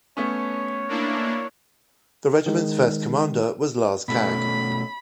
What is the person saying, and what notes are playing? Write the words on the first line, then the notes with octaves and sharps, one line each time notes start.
The regiment's first commander was Lars Kagg.
A3 B3 C#4 C#5
A#3 D4 E4
D#3 G#3
B2 A3 C#4 B5